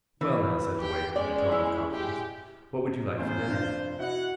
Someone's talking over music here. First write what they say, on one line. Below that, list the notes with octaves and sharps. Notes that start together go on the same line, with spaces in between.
'Well now,' said the waiter, in a tone of confidence, 'what would you like for dinner?
E3
G4 G5
G#3 C#4 D5
E4
G#3 G4
E2 A2 C#4 F4 C5
F1 D4
E4 F#4 D#5 F#5